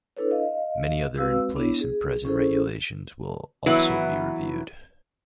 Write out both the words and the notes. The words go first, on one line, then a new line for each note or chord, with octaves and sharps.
Many other in place and present regulations will also be reviewed.
D4 E4 A4 B4 C#5
D#5 F5
G#3 C4 F#4 B4 F5 E6
B3 D4 E4 C#5
G#4
C#4 E4 G#4 A4 C5
E3 F#3 B3 E4